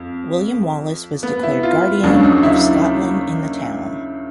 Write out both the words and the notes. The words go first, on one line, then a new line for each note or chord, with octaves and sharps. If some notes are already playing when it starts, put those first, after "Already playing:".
William Wallace was declared guardian of Scotland in the town.
Already playing: F2
B3
E4
F4
D#2 C#3 F#3 D4
D#4
E4